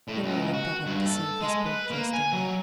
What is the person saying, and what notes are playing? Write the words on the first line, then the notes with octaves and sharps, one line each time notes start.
Mary looked at him to see if he spoke jestingly.
A2
C#2
F#4
G2
A4
G#3
B4
A#3
G#5
F#3